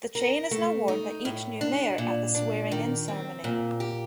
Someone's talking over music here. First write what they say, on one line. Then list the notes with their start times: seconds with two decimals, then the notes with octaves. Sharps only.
The chain is now worn by each new mayor at the swearing-in ceremony.
0.15 A#4
0.51 A3
0.88 D#4
1.25 A2
1.61 D4
1.98 A#2
2.35 D4
2.71 D#3
3.08 C4
3.44 A#2
3.80 G4